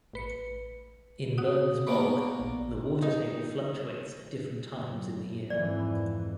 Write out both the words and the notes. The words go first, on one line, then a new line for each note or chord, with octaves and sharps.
In Burns Bog, the water table fluctuates at different times in the year.
A1 B4 C#7
F#4 D#6
A#3 B3 D4 B5 C#6 D7
A#1
D#4
F#2 A2
F2 G#2 E3 D5